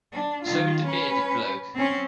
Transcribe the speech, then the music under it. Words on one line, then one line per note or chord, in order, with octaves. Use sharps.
So with the bearded bloke.
D4
D#3 F4
C#4 B4
C4 C#4